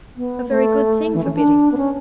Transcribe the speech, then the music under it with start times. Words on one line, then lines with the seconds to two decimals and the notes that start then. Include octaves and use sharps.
A very good thing for Biddy.'
0.17 B3
0.49 A3
1.14 E3
1.24 C#4
1.35 D4
1.72 B3
1.77 C#4